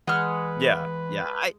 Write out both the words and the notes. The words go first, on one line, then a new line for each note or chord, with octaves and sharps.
Yeah, yeah, I
E3 G#3 B4 F#5 F6